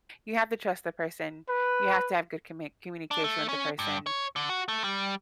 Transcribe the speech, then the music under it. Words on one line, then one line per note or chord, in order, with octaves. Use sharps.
You have to trust the person. You have to have good commit communication with the person,
B4
D4
A3
C#4
G2
C#5
D3
F#4
A3
G3